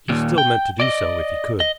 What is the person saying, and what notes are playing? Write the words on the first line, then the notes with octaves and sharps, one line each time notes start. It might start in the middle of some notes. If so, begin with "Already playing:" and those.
He still meant to do so, if he could.
D#2 A#2
G5
D5 D#5
D#5